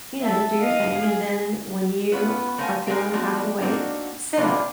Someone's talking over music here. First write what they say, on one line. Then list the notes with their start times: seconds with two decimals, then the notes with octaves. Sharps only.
you know, do your thing, and then when you are feeling kind of awake, sit up,
0.21 A4 E5
0.61 D#5 F5
0.99 G#4
2.12 B3 C#4 F4 B4
2.58 A3 A#4 C5 F5 G5 G#5
2.87 G#3 D#4 G#4 A#4 F5 G5
3.13 F3 G#3 A3 B3 D4 F#4
3.61 A#3 C4 D4 D#4 F#4
4.37 C3 F3 A#3 D4 F4 B4